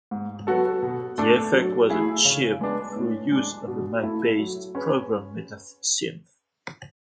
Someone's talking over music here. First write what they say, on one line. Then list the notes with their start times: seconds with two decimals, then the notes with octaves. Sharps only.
The effect was achieved through use of the Mac-based program MetaSynth.
0.11 G#2
0.47 F#3 B3 F#4 A4
0.82 B2
1.18 A3 D4 A4
1.53 F#3
1.90 A3 E4 G#4
2.25 C#3
2.61 G#3 B3 D4
2.96 A2
3.32 G#3 D4
3.67 B2
4.03 A3 E4 A4
4.39 F#3
4.75 C#4 G#4 B4